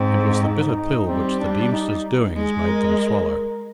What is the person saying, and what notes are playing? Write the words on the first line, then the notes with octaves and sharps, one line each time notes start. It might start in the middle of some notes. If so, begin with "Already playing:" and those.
It was the bitter pill which the Deemster's doings made them swallow.
Already playing: G#2 C4
D#4
G3 C4
D4
D#4
G#3 G#4
A#4